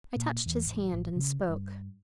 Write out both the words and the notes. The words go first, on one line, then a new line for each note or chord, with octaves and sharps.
I touched his hand, and spoke.
A#2
E2
A1
A1
C#3
G2